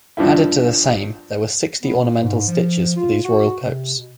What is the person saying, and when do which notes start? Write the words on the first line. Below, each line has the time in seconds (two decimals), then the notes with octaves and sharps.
Added to the same there were sixty ornamental stitches for these royal coats.
0.17 G2 F3 E4
1.82 B3
2.04 A#2
2.21 G#2
2.47 F3
2.96 F4
3.24 F#4
3.61 C3
3.95 B2